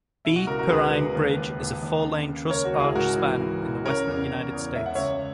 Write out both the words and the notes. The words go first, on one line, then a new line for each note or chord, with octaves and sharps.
B. Perrine Bridge is four-lane truss arch span in the western United States.
B2 E4
F#4
C#2 F#4 A#4
F#4 A#4
C#2 G#4 B4
C#2
D#2
D#2
D#2
D#2
C#3
C#3
C#2 A#4 C#5
F#4
C#2
E4 G#4
G#2 F#4 A#4
E3
E3
E3
C#3 A#4 C#5
E2
E2
E2
C#2 E5
F#5
C#2 C#5 E5